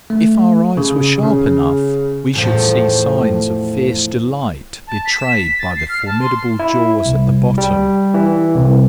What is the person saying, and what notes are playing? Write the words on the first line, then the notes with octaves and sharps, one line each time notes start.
If our eyes were sharp enough, we should see signs of fierce delight betrayed by the formidable jaws at the bottom.
A3
C#3
C#3
E2 A2 F3
A5
B6
E7
B6
A6
C7
F6
A5
C6
E4
C2
G3
E3
C2